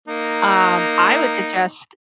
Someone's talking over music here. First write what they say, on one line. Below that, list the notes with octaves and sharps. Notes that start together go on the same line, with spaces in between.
um, I would suggest,
A#3 D#4